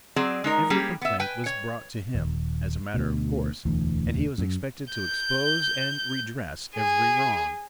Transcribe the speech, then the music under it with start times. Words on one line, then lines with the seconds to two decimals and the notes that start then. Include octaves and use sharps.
Every complaint was brought to him, as a matter of course; and he was expected to expose and redress every wrong.
0.16 F#3 C4 G#4 D5
0.44 G#3 D#4 A#4
0.70 G3 A#3 C#4 G4 G#4
1.01 B3 E5
1.20 B4 G5 G#5
1.46 C#5
2.14 D#1
2.94 D2 B2
3.65 E1 D2 E3
4.38 F#2
4.93 G6
6.75 G#4